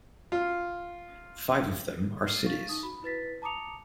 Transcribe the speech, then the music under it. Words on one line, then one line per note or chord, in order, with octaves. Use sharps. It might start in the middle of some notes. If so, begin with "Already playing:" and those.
Five of them are cities.
F4
F6 C7
F5 C#6 A6
D#4 D#6
F#4 B5
E4 B4 A6 B6
A5 A#5 D6 D#6 C#7 F7